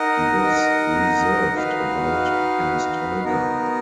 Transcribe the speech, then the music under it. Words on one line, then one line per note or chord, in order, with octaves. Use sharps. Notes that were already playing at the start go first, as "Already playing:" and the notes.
He was reserved about perestroika.
Already playing: D#4 A#4 D#5 F#5
D#4 F#4 B4 F5
B3 D#4 F#4 A#4